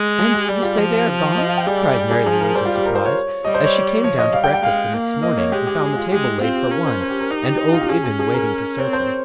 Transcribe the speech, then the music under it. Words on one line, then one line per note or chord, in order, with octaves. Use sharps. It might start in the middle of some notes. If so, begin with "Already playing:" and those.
"And you say they are gone?" cried Mary Louise in surprise, as she came down to breakfast the next morning and found the table laid for one and old Eben waiting to serve her.
Already playing: G#3
G#4
G4
G3 G4
F4
F3 G4
G4
D#5
F5
G5
G3 G#4
G4
G#4
G#4
F3 G#4
A#4
G3 C5
F4
G4
A#4
C5
C#5
G3 D#5
C5
C#5
F3 C#5
D#5
G3 F5
G5
G5
G#3 F5
A#3
D#5
C#5
G#3 G4
G4
G#4
F4
G#3 G4
C4 F4
G4
C#4 A#4
C5
C5
G4
A#4
D#4 G4
G4
F4
G4
C#4 G#4
G#4
G#4
A#4
C4 C#5
C5